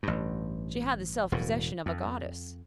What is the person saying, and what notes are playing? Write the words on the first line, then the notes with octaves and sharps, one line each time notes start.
She had the self-possession of a goddess.
A1 G2
E1 A2
F2